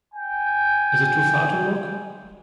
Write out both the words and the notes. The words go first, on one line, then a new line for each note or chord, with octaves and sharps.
Is it too far to walk?
G5 G#5